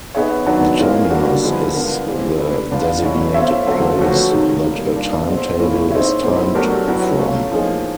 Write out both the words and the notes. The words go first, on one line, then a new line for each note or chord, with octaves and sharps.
The terminus is the designated place that a timetable is timed from.
B3 D#4 G#4 C#5 E5
D#3 F#3 B3 D4
E3 G#3 C#4 F4 A#4
D3 G3 A#3 D4 F#4
D3 F3 G#3 B3 E4
B3 D4 F4 A#4
E3 G#3 C4 E4 G4
A3 D4 G4 B4
B3 D4 F4
B2 F#3 A3 C#4 E4
C4 F4 A4 C#5 E5
D3 F#3 A3 C4 F4
F3 A3 C#4 F#4 B4
C3 D#3 G#3
D#3 G3 A#3
A#3 D4 F4
B2 G#3 C4
A2 F3 A#3 C#4 E4
C4 D#4 G#4 C#5 E5
B2 G#3 C4 E4
F#3 A3 D4 G4 A#4
F#3 B3 E4
A3 C#4 F4
A2 F3 A#3 D#4 G#4